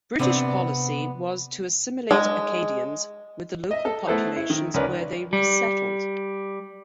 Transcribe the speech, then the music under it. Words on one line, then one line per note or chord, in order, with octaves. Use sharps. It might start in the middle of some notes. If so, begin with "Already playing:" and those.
British policy was to assimilate Acadians with the local populations where they resettled.
C3 B3 C4 D4
G#3
D#5 E5
A4
A3 B3 E4 A4 B4 C5
E4
D#3
C#2 C#4 A#4 B4 D5
G3